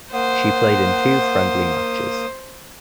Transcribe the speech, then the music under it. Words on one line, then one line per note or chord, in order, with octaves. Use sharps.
She played in two friendly matches.
A#3 C5 F#5 D#6